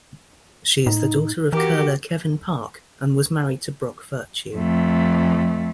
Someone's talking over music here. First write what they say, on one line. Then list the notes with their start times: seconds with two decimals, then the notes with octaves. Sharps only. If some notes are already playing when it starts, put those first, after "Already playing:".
She is the daughter of curler Kevin Park and was married to Brock Virtue.
0.86 A2 D#4
1.53 E3 F#4 G4 A#4 D6
4.56 F2 A3